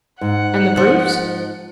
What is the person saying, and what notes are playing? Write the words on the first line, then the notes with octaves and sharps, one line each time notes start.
"And the proofs?"
G#2 F#5
F3